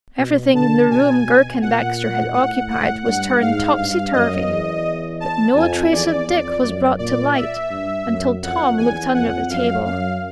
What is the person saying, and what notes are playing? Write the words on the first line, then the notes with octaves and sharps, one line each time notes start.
Everything in the room Girk and Baxter had occupied was turned topsy-turvy, but no trace of Dick was brought to light until Tom looked under the table.
B2
D3 A5
B2 G#5
B2
A#2 F#5
F#5
A2 F#5
F#5
G2 F#5
G#2 F5
G2 F5
F#2 D#5
E2
A5
F2 G#5
E2 D5
F2
F#2
A#2 D5
E5
G2
F#2
F2 F#5
E2 G#5
F2 F#5
F#2 F5
F#2 F5